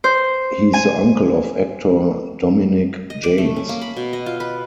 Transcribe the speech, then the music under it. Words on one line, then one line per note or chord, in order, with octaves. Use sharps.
He is the uncle of actor Dominic Janes.
C5
G#5
D#5
D5
A3
C#4
A#3
B5
B2
D#5
F4
B4